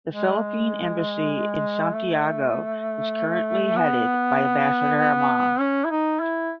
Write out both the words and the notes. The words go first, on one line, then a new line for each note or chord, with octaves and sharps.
The Philippine Embassy in Santiago is currently headed by Ambassador Ma.
G#3
A3
B3
C#4
E4
D#4
E4